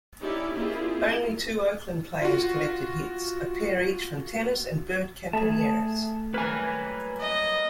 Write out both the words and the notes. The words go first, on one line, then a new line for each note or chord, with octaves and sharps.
Only two Oakland players collected hits, a pair each from Tenace and Bert Campaneris.
C#4 D#4 E4 G4 D5
A#3 C4 E4 F4 G4 G#4
F4 F#4
A3 G#4 E5 A5
F#3 G3 A#3 B4 G#5
D#5